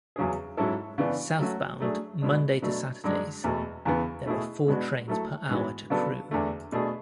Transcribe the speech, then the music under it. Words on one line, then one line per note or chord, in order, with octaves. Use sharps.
Southbound Monday to Saturdays there are four trains per hour to Crewe.
E2 C#3 F#3 C#4 G#4
G#2 F#3 C#4 E4 A4
C#3 E3 B3 D4
F#3 A3 C#4 F#4
F#3 A3 D4 G#4
B2 G#3 D4
B2 F#3 A3 D4 A4
F#2 D3 G#3 D4
E2 B2 A3
E2 C#3 E3 B3
B2 A3 E4 G#4
B2 G#3 B3 D4 F#4
F#3 A3 E4 A4
G#2 E3 G#3 B3 F#4
C#3 F#3 B3 D4 A4
E2 D3 A3
B2 A3 D4 G#4